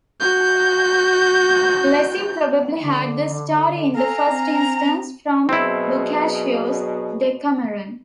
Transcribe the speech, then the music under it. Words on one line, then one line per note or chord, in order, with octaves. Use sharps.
Lessing probably had the story in the first instance from Boccaccio's "Decameron".
F#4 G6
D3
A4 F5 G#5 A#5
C4
B2 F#3 C4 D4 E4 G#4